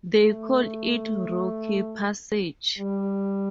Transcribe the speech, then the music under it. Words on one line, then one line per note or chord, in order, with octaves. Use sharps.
They called it "Rocky Passage".
A3
G3